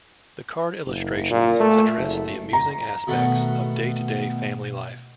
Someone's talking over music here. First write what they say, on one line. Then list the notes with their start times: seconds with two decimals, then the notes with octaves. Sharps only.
The card illustrations address the amusing aspects of day-to-day family life.
0.86 F#1
1.30 A#2
1.60 A3
1.97 F#1
2.53 A#5
3.07 B2 D#3 A3 B4 F#5